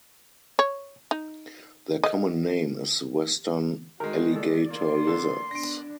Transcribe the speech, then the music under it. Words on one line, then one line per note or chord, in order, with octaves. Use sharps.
Their common name is western alligator lizards.
C#5
D#4
D#5
D#3 G#3 F#4 A#4
A4 D5
A#3 C6
D3 A4
B3 D4 A#6 D7